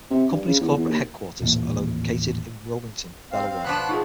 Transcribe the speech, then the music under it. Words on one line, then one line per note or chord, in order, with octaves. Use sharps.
The company's corporate headquarters are located in Wilmington, Delaware.
C3
G2
C#3
E2
E2
D#2
D#1 A1 A#2
C4 F5
C4 F5
B2 F3 D4 B5 F#6
D#4 F4 G#4